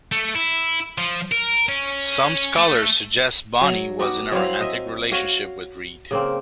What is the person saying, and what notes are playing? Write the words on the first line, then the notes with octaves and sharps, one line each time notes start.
Some scholars suggest Bonny was in a romantic relationship with Read.
A3
E4
F3
A#4
C#4
A3
F#3
B3 D#4 F#4 G4
F#3 C4 E4 F5
D#5 E5
F#4 C#5 F5
C#3 A#3 C4